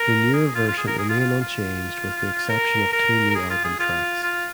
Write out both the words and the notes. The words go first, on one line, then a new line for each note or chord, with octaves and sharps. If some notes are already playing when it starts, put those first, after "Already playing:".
The newer version remain unchanged with the exception of two new album tracks.
Already playing: A#4
G#4
F4
F4
G#4
A#4
G#4
F4
F4
F4
A#4
A#4
A#4
G#4
F4
G#4
F4
F4